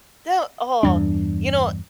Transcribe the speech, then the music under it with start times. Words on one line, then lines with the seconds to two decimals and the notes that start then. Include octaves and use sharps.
the oh, you know,
0.83 E2 G2 D4